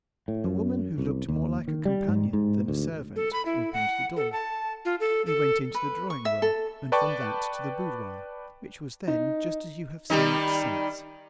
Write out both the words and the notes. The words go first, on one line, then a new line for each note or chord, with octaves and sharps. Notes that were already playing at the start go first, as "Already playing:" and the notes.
A woman who looked more like a companion than a servant opened the door. We went into the drawing-room, and from that to the boudoir, which was then just as you have seen it since.
A2
F#2
C2
D#2
D#3
G3
G#2
G#2
D2
A4
B5
E4
F#5
A4
A5
F4
A4
A4
B4
C#6
E5
A4
B4 D5 G5 A5 C#6
D#4
D#3 G3 D#4